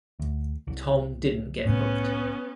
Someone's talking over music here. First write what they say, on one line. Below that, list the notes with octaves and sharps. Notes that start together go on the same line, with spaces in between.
Tom didn't get hooked.
D2
C2
A2 C3 B3 C#4